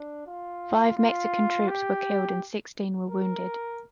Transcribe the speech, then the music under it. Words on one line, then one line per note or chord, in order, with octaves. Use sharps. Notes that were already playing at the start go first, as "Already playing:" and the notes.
Five Mexican troops were killed and sixteen were wounded.
Already playing: D4
F4
F4
G4
A#4